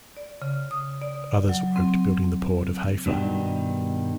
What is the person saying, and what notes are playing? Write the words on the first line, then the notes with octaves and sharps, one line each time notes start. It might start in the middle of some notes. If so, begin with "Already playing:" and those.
Others worked building the Port of Haifa.
D5
C#3
D#6
D5
F#3
C4
G2 B2 D3 D#3 G3